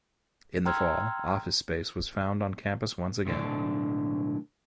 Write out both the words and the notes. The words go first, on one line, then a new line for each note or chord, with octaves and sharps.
In the fall, office space was found on campus once again.
G5 A#5 C6 E6 F6 G#6
B1 A2 D3 D4